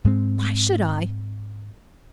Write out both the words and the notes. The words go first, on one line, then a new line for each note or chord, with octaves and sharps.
"Why should I?"
G#2 G#3 C4